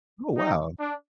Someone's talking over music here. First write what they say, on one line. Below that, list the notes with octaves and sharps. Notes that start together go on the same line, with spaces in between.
Oh, wow.
D#4
D4